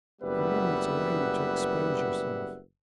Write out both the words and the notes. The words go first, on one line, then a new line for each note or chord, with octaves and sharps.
"I will not allow you to expose yourself."
F#1 G3 B3 B4 E5 F#5